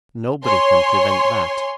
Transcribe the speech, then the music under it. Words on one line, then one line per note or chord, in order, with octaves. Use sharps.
Nobody can prevent that.'
C#5 G#5 C6